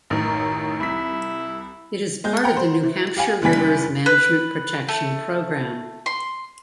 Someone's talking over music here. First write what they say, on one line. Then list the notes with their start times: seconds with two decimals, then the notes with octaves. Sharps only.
It is part of the New Hampshire Rivers Management Protection Program.
0.10 A1 F#2 D#3
0.80 C2 E4 B6
2.24 G#3 G#4 G6
2.44 F#5 G5 A#5
2.57 C5
2.83 E3
3.16 G4 F5 G#5
3.42 F#1 E3 G3 G#5 B6
4.06 B4
4.89 A3
6.06 C6